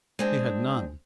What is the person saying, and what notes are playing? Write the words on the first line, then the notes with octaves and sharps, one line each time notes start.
He had none.
G#3 C4 D4